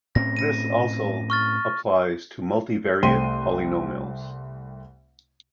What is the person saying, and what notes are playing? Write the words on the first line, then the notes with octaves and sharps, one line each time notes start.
This also applies to multivariate polynomials.
A2 C4 C#4 A#6
A#6 D#7
C#6 F6 A6
C2 A3 C5 G5 C6 D#7